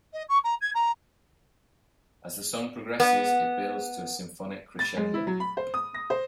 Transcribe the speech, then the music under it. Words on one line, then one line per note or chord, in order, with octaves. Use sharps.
As the song progresses, it builds to a symphonic crescendo.
D#5
C#6
A#5
G#6
A#5
B3
A6
G#3
E4
F#3
B5
C5
D#6
A#6
C5